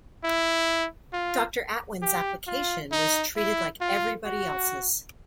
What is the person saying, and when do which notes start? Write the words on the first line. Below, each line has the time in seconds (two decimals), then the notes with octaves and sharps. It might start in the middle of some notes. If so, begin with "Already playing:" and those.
Doctor Atwan's application was treated like everybody else's.
0.24 E4
1.13 F4
2.02 G4
2.47 F4
2.92 D#4
3.36 E4
3.81 F4
4.25 F#4